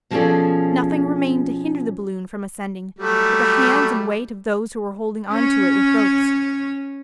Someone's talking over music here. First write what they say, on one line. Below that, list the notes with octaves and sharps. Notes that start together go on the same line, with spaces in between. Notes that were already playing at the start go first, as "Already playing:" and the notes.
Nothing remained to hinder the balloon from ascending but the hands and weight of those who were holding on to it with ropes.
B2 F3 C#4 G#4 A4 D5
F#3 G3 A3
C#4 C#5